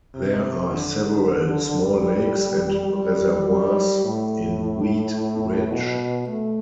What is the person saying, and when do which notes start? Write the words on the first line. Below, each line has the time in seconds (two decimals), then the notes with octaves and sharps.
There are several small lakes and reservoirs in Wheat Ridge.
0.14 C3
0.70 D3
1.81 G3
2.93 G3
3.49 G3
4.05 A2
5.71 B2
6.27 A3